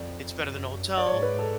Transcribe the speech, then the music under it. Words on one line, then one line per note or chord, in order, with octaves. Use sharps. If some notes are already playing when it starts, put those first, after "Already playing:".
it's better than a hotel."
Already playing: F2 D5
F#2
D5
G#2 C#5
B4
A4